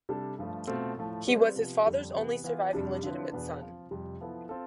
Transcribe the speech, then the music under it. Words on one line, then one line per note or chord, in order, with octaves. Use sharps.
He was his father's only surviving legitimate son.
C3 G3 D4 A4
G2 F3 A3
B2 A3 C4 F4 A4
A2 F3 A3 E4
G3 C4 F4 B4 D5
C3 F3 B3 F4
F2 D3 G3 D4 A4
C3 E3 B3
E3 B3 F4
F2 C3 G3 D4
D3 F3 C4 E4 B4
E2 B2 B3 D4
F3 C4 F4
F2 C3 G3
F3 B3 E4 A4
C4 F4 A4